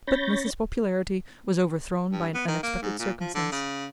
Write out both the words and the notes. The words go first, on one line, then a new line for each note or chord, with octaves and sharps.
But Mliss's popularity was overthrown by an unexpected circumstance.
C#4 C#5 B5 G6 A6 A#6
G2
B3
D#3
A#3
G#2
A#2
F3
D3
C#3